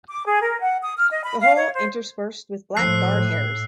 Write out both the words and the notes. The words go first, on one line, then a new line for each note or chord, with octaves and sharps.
The whole interspersed with black guard hairs.
D6
G#4
A#4
F#5
D#6
F6
D#5
B5
F5
C#5
C5
A2 F3 E6 F#6 C7